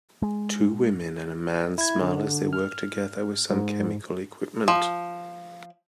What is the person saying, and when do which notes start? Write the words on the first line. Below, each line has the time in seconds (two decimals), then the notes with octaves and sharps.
Two women and a man smile as they work together with some chemical equipment.
0.22 G#3
1.78 E4 G#6
2.02 D3
2.53 F6
3.51 G#2
4.68 F3